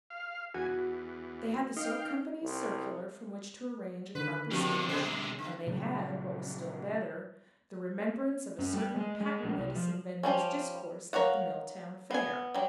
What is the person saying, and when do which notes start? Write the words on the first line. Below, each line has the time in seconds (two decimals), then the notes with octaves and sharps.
They had the soap company's circular from which to arrange a proper speech, and they had, what was still better, the remembrance of a certain patent-medicine vender's discourse at the Milltown Fair.
0.10 F5
0.54 E2 F#4 G#5
0.68 E2
1.77 D#4 F5 G5
2.43 C2
4.15 D3 D#3 B4
4.51 B1 D3 F3 A#3 C4 D4 G4
4.89 C#3 G#4 C5
5.03 G3
5.39 D3
5.67 A#2 C#3 F#3 G3
8.59 F#2
8.73 G3
8.96 G#3
9.21 G#3
9.43 A#1
9.58 C2
9.75 F3
10.23 F3 G3 C#4
11.13 A#4 C#5 F5 F#5
12.11 B3 G#5
12.54 F#3 G3